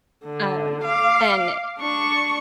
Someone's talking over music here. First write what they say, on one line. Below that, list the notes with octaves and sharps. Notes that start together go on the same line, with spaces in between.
Um, and
D3
F5 D6
D4 C#6